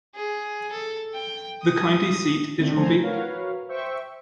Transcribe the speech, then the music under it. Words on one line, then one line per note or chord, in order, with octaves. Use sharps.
The county seat is Roby.
G#4
A4
G5
D#6
D3 D#3 A3 C4 D4 D#4
F3 A3 C5 G#5 A#5
F#4 A#4 B4 C#5 F5
C5 E5 G5 C#6